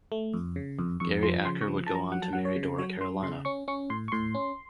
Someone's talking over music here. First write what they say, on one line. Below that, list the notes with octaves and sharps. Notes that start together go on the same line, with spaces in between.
Gary Acker would go on to marry Dora Carolina.
A3
F2
C#3
F2
F2 C#6
F3 C6
C#3 C6
C#6
F3
F3 A5
A#5
F#3 F#5
A5
F#3 F#5
C#5
C#3
F#3 C#5
F#3 C6
C#3 C6
C#4 C#6
C#4 C#6
A2 C6
C#6
A2 C6
C#4